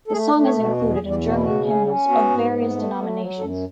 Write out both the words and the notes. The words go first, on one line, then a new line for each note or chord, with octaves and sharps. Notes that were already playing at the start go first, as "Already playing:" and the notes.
The song is included in German hymnals of various denominations.
A4
A3 G#4
D5
A3
C#5
B2
F#4
E2 F#4
G#4
E2
D5
B2
F#4
E4
C#3 F#4
C#4
C#4
B3 F#4
G#2
B3
A3
A3
F#3
F#2 A4